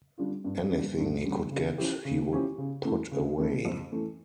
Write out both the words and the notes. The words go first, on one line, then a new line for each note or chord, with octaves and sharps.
Anything he could get he would put away.
D3 G3 D4 F4
G2
D3 G3 D4
G2
D3 G3 D4
C#3
F3 C#4 E4 G4
C#3
F3 C#4 E4 G4
C#3
E3 A3 E4
C#3
E3 A3 E4
F2
E3 A3